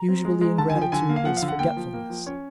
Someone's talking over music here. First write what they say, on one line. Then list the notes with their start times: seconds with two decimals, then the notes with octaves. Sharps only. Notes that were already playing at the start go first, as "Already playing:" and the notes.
Usually, ingratitude is forgetfulness.
Already playing: A#5
0.09 C4
0.25 G#3
0.41 G#3
0.58 D3 A5
0.70 G#5
0.75 F3
0.82 G5
0.92 D3 G#5
1.09 A#3
1.16 F5
1.25 F3 F#5
1.37 F5
1.42 D3
1.48 F#5
1.59 A#3 G5
1.77 F3
1.93 A#3
2.10 F3
2.27 C#4 C#5